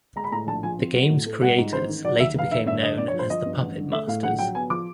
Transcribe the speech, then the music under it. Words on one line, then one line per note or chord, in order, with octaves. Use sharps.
The game's creators later became known as the "Puppetmasters".
G#3 A#5
B5
A2 A#5
A#1 A5
F3 G#5
C4
F#3
A2
A3
G3 F#5
G#2
A1 C5
D#3
F#3 D5
D#2 E5
F1 F5
D#3 E5
G2 E5
D3 D#5
G2 D5
C#5
F3
C5
F3 D#5
G2
A1
D3
A3 E5
A2 F5
A#1 F#5
F#3 G5
B3 G#5
F3 D6